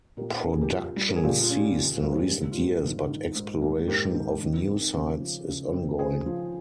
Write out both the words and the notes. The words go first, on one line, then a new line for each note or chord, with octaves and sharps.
Production ceased in recent years but exploration of new sites is ongoing.
A#2 G4 A#4
C#4 A#4
G#4
G4 A#4
F4
G3
A#4
G#4
A#2 G4
F4
C#4
G4
F4
G3 A#4
C5
G4 A#4
G#2 G4
F4
A#3 G4
G#2
D#3
G#2
A#3
G#2 G4 A#4
D#3
C#3
C4
C#3
F3
C#3
C4
C#3 G#4 C5
F3